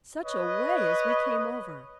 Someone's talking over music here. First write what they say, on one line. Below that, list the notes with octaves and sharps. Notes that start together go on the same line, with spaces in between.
Such a way as we came over!
B4 C#5 D#5